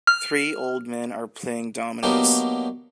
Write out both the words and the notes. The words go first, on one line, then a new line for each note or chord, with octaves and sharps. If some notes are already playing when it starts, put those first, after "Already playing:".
Three old men are playing domino 's.
F6
F#3 A#3 B3 D4 D#4 G4